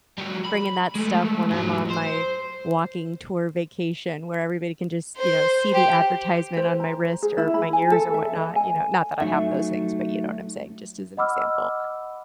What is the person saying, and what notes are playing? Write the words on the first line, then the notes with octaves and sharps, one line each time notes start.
bringing that stuff when I'm on my walking tour vacation where everybody can just, you know, see the advertisement on my wrist or my ears or whatnot, you know? Not that I have those things, but you know what I'm saying, just as an example,
G3 F#4
B5
G#3 A3
G#2 F#3
C5
C5
G4
C5
A#5
G#4
E4
B5
G#5
A4
E5
D#5
G#5
F#3 A3 D#4 E5
D#5 F#5 B5 D6 E6 F6